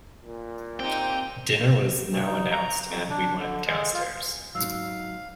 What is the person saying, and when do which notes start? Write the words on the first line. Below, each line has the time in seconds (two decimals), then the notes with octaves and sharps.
Dinner was now announced, and we went downstairs.
0.24 A#2
0.80 C4 D#4 G4 G5
2.12 D2
2.25 D#4
2.52 A#5
2.90 F2
3.10 D4
3.38 D3
3.67 G#3
3.94 F4
4.55 G#2 F#3 F5 E6